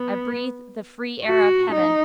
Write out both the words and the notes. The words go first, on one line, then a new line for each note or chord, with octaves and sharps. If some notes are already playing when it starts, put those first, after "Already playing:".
I breathed the free air of Heaven.
Already playing: B3
F#4
D#4